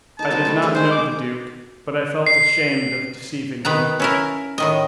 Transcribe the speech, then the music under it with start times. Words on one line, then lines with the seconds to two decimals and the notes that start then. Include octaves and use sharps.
I did not know the duke, but I felt ashamed of deceiving him.
0.19 D#4 A#4 A5
0.30 F#3 G3 C4
0.45 D#3 G3 A3
0.62 G3 A3 G#4
0.75 D#3 G#3 G#4 C5
0.91 D6
2.27 C7
3.65 D#3 B4 A#5
4.00 C#4 E4 A#4
4.58 A2 D#3 D#5